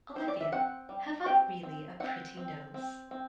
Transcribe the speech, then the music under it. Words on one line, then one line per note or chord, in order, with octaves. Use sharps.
Olivia, have I really a pretty nose?
C4 C5
D5
E5
C4 F#5
G3
C4 G5
C4
C4 F#5
C4
C4
C4